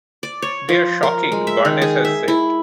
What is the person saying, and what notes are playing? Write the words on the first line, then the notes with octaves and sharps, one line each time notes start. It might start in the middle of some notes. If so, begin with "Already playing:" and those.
They're shocking, Barnes has said.
D5
C#5
F3
A#4
G#3
E5
D#3
G#4
E5
E4